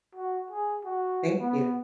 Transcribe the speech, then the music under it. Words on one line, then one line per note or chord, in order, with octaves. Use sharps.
Thank you.
F#4
G#4
F#4
B3